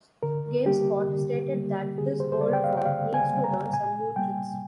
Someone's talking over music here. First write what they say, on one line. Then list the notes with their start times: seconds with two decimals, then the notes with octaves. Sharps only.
GameSpot stated that This old fog needs to learn some new tricks.
0.23 D3 A#4
0.66 G3 A#3 G4
1.10 D3
1.54 G3 A#3
1.98 D3 G#4
2.20 C5
2.32 C5
2.41 G3 A#3 D5
2.53 G5
2.64 F5
2.77 G5
2.85 D3 F5
3.14 G#5
3.29 G3 A#3
3.44 A#5
3.73 A#2 G#5
4.16 G3 A#3 G5